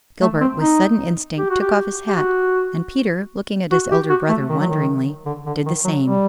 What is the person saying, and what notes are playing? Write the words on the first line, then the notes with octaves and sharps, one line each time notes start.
Gilbert with sudden instinct took off his hat, and Peter, looking at his elder brother wonderingly, did the same.
A3
C4
D#4
G4
F#4
G4
G4
F#4
F#4
G4
F#4
A3
D#3
F#3
D#3
D3
D3
D#3
F#3
G3